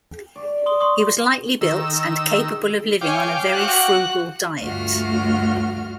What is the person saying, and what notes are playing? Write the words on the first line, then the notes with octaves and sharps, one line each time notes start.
He was lightly built and capable of living on a very frugal diet.
D5
C6 D#6 G7
C6 C#6 D#6
D#3 E6
C#5 F5 G5 G#5 D6
F#4 F#6
D2 G2 A3 F4 F#4 F6